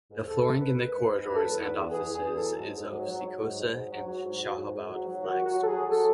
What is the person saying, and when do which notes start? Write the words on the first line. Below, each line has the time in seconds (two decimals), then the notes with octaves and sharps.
The flooring in the corridors and offices is of Sikosa and Shahabad flag stones.
0.09 G#2
0.26 G#2 A4
0.43 G#2
0.59 D#3 B4
0.75 D#3
0.92 G#2
1.09 G#2
1.25 F#3 B4
1.34 A4
1.41 E2 B4
1.58 E2
1.75 E2
1.91 E2 G#4
2.08 E2
2.14 G#4
2.25 E2
2.35 A4
2.41 F#3
2.57 G#2
2.74 G#2
2.91 F#3
3.08 F#3
3.24 F#3
3.40 G#2
3.57 G#2
3.74 F#3
3.91 F#3
4.07 F#3
4.24 G#2
4.40 F#3
4.57 G#2
4.74 G#2
4.90 F#3
5.07 F#3
5.23 D#3 F#4
5.40 F#3 F#4
5.57 F#3
5.62 A4
5.67 G#4
5.73 F#3
5.90 F#3 A4